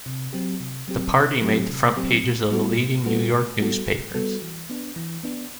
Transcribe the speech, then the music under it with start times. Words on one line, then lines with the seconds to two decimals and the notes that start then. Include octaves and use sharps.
The party made the front pages of the leading New York newspapers.
0.06 C3
0.33 F#3 C4 G4
0.60 C3
0.88 F#3 C4 G4
1.15 C3
1.42 F#3 C4 G4
1.70 C3
1.96 F#3 C4 G4
2.24 A2
2.52 G3 B3 F#4 A4
2.78 A2
3.06 G3 B3 F#4 A4
3.33 A2
3.60 G3 B3 F#4 A4
3.87 A2
4.14 G3 B3 F#4 A4
4.42 E3
4.70 B3 D4
4.96 E3
5.23 B3 D4